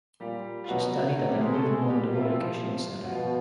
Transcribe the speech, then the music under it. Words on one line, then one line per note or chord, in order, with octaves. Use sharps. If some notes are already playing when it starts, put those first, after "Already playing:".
She studied at the Nuevo Mundo Educational Center.
A#2 G3 G4
F4
B2 F#3 F#4
C3 F#3 F#4
G3 G4
G#3 G#4
A3 A4
G#3 G#4
G3 G4
C3 F4
E4
F3 F4
F#4
B2 F3 F4